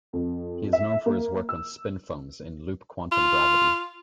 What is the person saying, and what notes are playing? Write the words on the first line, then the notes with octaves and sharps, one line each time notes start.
He is known for his work on spin foams in loop quantum gravity.
F2
E5
A#3
E6
F4